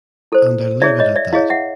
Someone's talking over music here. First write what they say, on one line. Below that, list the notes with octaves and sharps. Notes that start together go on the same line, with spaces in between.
And I’ll leave it at that.
E4 A4 C5
E4 G#4 C#5 D5 E5
C#5 D#5
D5 E5
E4 G#4 C#5 D#5 F5
E5 F#5